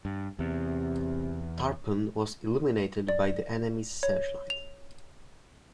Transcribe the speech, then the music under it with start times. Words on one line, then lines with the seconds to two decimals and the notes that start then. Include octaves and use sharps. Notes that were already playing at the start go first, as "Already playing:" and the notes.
"Tarpon" was illuminated by the enemy's searchlight.
0.05 G2
0.39 E2 C3
3.09 D5
4.03 C#5
4.50 F7